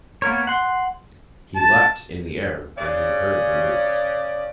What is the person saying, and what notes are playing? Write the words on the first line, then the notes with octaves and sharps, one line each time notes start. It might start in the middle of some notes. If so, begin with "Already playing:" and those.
He leapt in the air when he heard the news.
A#3 B3 A#4 C#5
F#5 C6
A5
C#3 D5